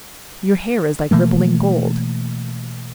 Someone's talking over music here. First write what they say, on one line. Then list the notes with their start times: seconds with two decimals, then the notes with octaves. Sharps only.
Your hair is like rippling gold.
1.11 B2 E3 A3 A#3